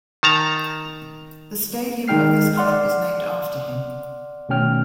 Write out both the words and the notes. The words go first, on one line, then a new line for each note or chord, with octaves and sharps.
The stadium of this club is named after him.
D#3 A5 A#5
D#3 G#3 D#4 G5 F6 C7
D5 F#5 C6 F6
B2 D#3 A3 C#4 G5 F6